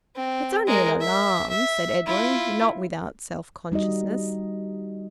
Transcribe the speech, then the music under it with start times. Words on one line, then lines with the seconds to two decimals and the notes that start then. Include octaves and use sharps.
"It's only an alarm," said Edwin, not without self-consciousness.
0.15 C4
0.67 G#3 A#4
1.01 E5
1.50 E5
2.06 E4 F4
3.72 G3 D#4 F#4 D#5